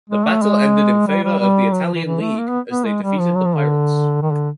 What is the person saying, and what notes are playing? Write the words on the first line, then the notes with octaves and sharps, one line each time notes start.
The battle ended in favor of the Italian league, as they defeated the pirates.
G#3
A3
G#3
G3
G3
G3
F#3
F3
E3
E3
A3
A#3
B3
B3
G#3
G3
F3
F#3
F3
D3
D#3
D3